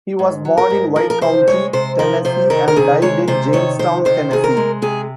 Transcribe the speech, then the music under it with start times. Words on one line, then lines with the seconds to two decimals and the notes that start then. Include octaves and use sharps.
He was born in White County, Tennessee and died in Jamestown, Tennessee.
0.19 G#2
0.45 F#3
0.58 A#4
0.70 G#2
0.96 F3 A#4
1.10 A#4
1.21 C3 C5
1.47 G#3 C#5
1.73 C3 C5
1.99 F3 A#4
2.25 C3 C5
2.50 D#3 A#4
2.68 A#4
2.76 C3 G#4
3.02 G#3 C#5
3.28 C3 C5
3.53 D#3 C#5
3.79 C3 C5
4.05 D#3 C5
4.31 C3 G#4
4.44 A#4
4.57 G#3
4.82 C3 G#4